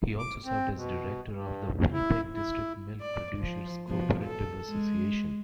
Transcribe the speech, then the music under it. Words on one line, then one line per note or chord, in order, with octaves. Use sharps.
He also served as director of the Winnipeg District Milk Producers Cooperative Association.
D6
C4
B2
G2
E4
E4
D5
F3
B2 F3
A4
G#3